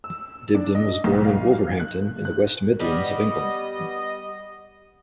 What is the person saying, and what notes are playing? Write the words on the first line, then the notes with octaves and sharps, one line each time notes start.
Dibdin was born in Wolverhampton, in the West Midlands of England.
E6
D4
D#5
B1
F5
F#6
F#6
G3 B3 D#5